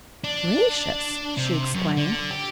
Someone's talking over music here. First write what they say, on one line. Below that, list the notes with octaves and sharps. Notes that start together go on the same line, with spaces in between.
"Gracious!" she exclaimed.
D4
C3
F#2
D3
G4